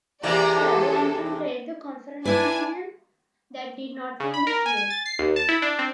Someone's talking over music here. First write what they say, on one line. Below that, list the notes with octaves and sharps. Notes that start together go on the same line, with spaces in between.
The other entrant played the conference champion that did not win the Shield.
E2 C3 A#3 G4 G#4 D5 A#5
A4
D4 E4 B4 G#5
C#3
B5
A#4
G#5
G#5
A6
C7
D#2
A5
E4
D4
C4